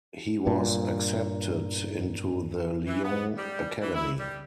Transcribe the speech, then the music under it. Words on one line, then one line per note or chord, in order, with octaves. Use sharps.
He was accepted into the Lyon Academy.
G2 A#2
E3
B3
G3
E3
E4
G3